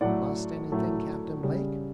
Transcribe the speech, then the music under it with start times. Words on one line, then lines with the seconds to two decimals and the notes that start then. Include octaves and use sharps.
"Lost anything, Captain Blake?"
0.01 A2 F#3 A3 D5 F#5
0.72 A2 F#3 A3
1.43 C#3 G3